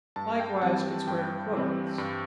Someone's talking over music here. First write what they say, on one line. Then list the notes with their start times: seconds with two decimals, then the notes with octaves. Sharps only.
Likewise could swear to clothes.
0.16 G2 A5
0.40 G5
0.62 E3 G3 C4 A5
1.07 G2 G5
1.53 E3 G3 C4
1.98 G2